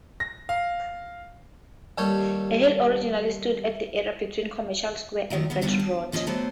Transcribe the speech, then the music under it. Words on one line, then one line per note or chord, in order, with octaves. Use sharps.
A hill originally stood at the area between Commercial Square and Battery Road.
A#6
F5
D#2 G3 A4 C#5 G5
F#2 D#3 F3 A3 A#4
D#3 G3 B3
D3 D#3 G3 B3 F4
D4
A#2 F3 C#4 F#4 D#5 G#5
F#3 A3 B3 C5 D5